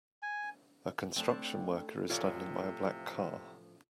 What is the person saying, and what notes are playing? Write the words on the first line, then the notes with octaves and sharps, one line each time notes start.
A construction worker is standing by a black car.
G#5
A3 C4 D4 E4 A5
A2 C3 E3 F3 F4 C#5 D5